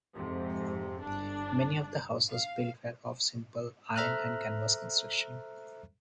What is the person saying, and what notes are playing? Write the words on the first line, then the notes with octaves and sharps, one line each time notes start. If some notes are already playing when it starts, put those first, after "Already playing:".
Many of the houses built were of simple iron and canvas construction.
F2 G#2 C3
G1 D4
F5
A4 C5 E5 A#5 F6 F#6